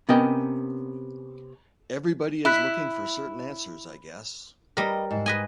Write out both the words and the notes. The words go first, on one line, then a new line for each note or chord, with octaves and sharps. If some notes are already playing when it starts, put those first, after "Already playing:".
Everybody is looking for certain answers I guess.
C3 B3 C#4 A#4 D#5 G5
E4 B5 F#6 B6
G3 A#4 B4 D#5
G#2
B4 D#5 G#5